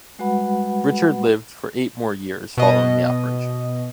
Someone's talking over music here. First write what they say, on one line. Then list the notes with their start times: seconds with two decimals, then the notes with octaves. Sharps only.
Richard lived for eight more years, following the operation.
0.19 G3 G#3 F#4 B4 F#5 B5
2.57 B2 D#5